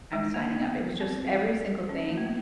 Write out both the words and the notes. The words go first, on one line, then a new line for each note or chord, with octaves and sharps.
I'm signing up." It was just every single thing
G#3
A#3
B3
C4
C#4
A3
A#3
B3